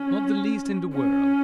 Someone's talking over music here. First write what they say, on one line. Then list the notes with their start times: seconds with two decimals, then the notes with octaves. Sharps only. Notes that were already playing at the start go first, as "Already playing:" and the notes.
"Not the least in the world."
Already playing: C#4
0.93 C#4